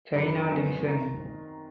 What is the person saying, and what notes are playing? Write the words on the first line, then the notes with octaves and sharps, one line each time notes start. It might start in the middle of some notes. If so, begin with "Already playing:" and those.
China division.
F#2 D3 F3 B3 D4 B5
B5
A#5
G#1 F#2 D#3 F#3 B3 G#5
D#3 A#5